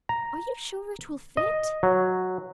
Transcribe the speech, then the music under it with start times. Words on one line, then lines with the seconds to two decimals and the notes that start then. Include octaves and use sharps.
Are you sure it will fit?
0.09 A#5
1.37 D#5
1.83 F#3